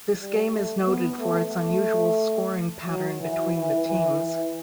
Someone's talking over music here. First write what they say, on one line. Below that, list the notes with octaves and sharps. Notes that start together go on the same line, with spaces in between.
This game is noted for its unusual scoring pattern between the teams.
G3
A3
B3
A3
A3
F#3
E3
E3
E3
E3